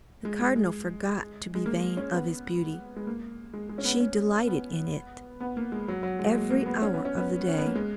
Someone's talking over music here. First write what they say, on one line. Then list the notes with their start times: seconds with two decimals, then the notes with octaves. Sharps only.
The Cardinal forgot to be vain of his beauty; she delighted in it every hour of the day.
0.25 G#3
0.41 G#3
0.56 G#3
1.55 G#3
1.66 A#3
1.97 C#4
2.13 B3
2.96 G#3
3.07 A#3
3.54 G#3
3.69 G#3
3.78 C#4
3.85 B3
4.00 C#4
4.47 B3
5.40 B3
5.57 A#3
5.72 G#3
5.88 F#3
6.03 F#3
6.19 G#3
6.35 G#3
6.50 A#3
6.66 B3
6.82 C#4
6.93 B3
7.05 C#4
7.17 B3
7.48 C#4
7.58 B3
7.66 A#3
7.75 G#3